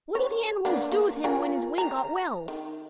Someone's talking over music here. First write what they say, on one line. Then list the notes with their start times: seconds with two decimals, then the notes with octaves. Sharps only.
"What did the animals do with him when his wing got well?"
0.15 C#5
0.65 A#3 B3 D4
0.92 A#3
1.24 F4 A#4 G#5
1.78 A#5
2.48 D#3